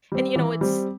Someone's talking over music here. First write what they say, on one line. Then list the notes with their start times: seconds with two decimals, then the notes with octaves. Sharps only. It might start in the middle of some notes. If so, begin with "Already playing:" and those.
and you know, it's
0.12 G3 C4
0.36 E3
0.61 G3 C4